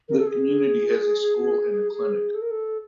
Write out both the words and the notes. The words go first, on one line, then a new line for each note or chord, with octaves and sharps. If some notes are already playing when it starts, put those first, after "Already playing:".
The community has a school and a clinic.
A#4
A4
G#4
G#4
A4
A#4
A4